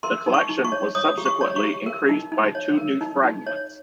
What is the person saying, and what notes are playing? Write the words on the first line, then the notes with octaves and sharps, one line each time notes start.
The collection was subsequently increased by two new fragments.
A#4 C6
D#4
C#6
D#4
C#6
C#5
C#5 D#6
G4
C#6
C#5
C#6
G4
A#4
D#4
D#4
C#5
A#4
D#4
D#4
C#5